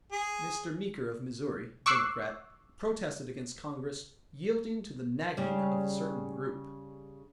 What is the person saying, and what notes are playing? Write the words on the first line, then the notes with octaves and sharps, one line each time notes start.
Mr. Meeker of Missouri, Democrat, protested against Congress "yielding to the nagging of a certain group."
G#4
C#6 D6 E6 F#6 C7
C#3 G3